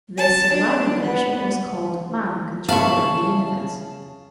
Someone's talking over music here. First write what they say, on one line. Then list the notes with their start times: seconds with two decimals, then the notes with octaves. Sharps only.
This surviving version was called "Man, Controller of the Universe".
0.17 A5
0.53 D4
1.00 B3
2.69 C#3 E5 F5 A5 B5 C#6